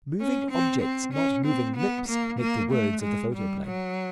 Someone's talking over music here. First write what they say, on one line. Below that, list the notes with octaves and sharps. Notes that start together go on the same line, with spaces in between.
Moving objects, not moving lips, make the words of the photoplay.
C#4
C4
C4
C#4
C4
B3
A#3
A#3
A3
G#3
G3
F#3